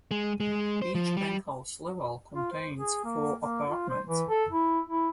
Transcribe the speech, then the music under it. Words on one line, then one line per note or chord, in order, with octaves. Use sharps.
Each penthouse level contains four apartments.
G#3
G#3
C5
F3
G3
F4
C5
G#4
A#3
A#3
F4
C5
E3
A4
E4
E4